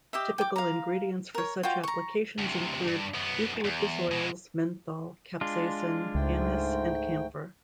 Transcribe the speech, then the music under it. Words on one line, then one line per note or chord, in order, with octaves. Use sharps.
Typical ingredients for such applications include eucalyptus oils, menthol, capsaicin, anise and camphor.
G4 D#5 E5
G5 D6
F5 A#5
A#4 C#5
F4 F#4 C5 G5
A#5 C#6
D2 C3
G2
F#2 B3
E2
B2 G#3
G#3 D4 F4
C#2 G#2 A3 G5